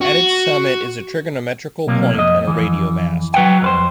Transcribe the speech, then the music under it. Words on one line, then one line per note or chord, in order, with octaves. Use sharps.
At its summit is a trigonometrical point, and a radio mast.
F#4
B1 C3 A#3
F2 D#5
F2 E3
F#3 B4 F#5 G5
F2 B4 C5